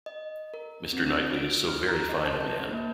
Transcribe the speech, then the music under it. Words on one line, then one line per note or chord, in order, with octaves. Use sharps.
Mr Knightley is so very fine a man!
D#5
A#4
C4
D7
F6
A#5
D#5
A5
G6
A#3